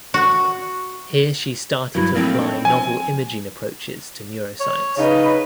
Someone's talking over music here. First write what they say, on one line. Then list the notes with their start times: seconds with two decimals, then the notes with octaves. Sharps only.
Here she started to apply novel imaging approaches to neuroscience.
0.14 F#4
1.95 G2 F#3 E4 B4
2.15 A#2 F3 A3 C4
2.39 D4 D#4 C#5
2.65 F3 G#5
4.60 C#5
4.97 C#3 D#4 B4